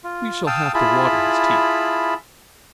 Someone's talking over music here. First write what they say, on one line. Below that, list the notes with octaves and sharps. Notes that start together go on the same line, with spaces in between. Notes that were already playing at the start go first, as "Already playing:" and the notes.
"We shall have to water his tea."
F4
F5 G5 A5 D#6 E6
E4 F4 G#4 A5 B5